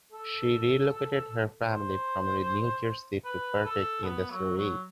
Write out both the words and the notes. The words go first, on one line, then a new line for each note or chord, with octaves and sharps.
She relocated her family from New Jersey to partake in the series.
A4
C5
B4
A4
B3
F#3
F#3